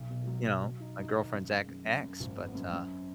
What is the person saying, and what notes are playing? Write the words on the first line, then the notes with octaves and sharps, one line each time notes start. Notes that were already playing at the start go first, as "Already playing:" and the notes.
you know my girlfriend's ex ex. But, uh
Already playing: B1
B2
F#3
F#3
F#3
D#4
D#4
D#3
F#2
G#4
F#2
F#2
F#2
G#1
B3
F#2
F#2